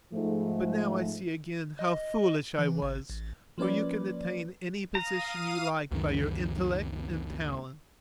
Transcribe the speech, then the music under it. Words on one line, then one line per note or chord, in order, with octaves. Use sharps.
But now I see again how foolish I was, for you can attain any position you like by your intellect and talent.
G#2 F3 A3
D#5
E3
G#1
A1
F3 A#3 C#4 B4 D5
F5 A#5 D#6 D#7
C#2 F#2 D#3